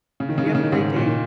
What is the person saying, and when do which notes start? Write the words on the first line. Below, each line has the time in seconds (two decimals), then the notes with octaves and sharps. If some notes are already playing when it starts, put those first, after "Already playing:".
You have a great day.
0.20 C#3
0.29 D#3
0.38 C#3
0.46 D#3
0.55 C#3
0.64 D#3
0.72 G#2 C#3
0.96 A#2 D#3
1.07 D#3